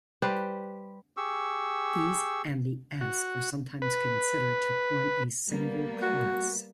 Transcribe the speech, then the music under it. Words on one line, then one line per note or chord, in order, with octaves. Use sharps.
These and the s are sometimes considered to form a single class.
G3 G4 B4 C5
G4 G#4 C#6 E6
F#4
B4
G3 A#3 B3
F#4